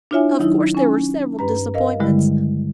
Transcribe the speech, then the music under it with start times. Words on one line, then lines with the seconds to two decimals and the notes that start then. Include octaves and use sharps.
Of course there were several disappointments.
0.11 D4 E4 F4 C#5 E5 G#5
0.39 D#3 F#3 D#4 E4
0.75 C#4 G#5
1.39 G2 B4 A#5
1.74 A#4 D#5 F5
2.00 G2 D3 D#3 G3 G#3 E4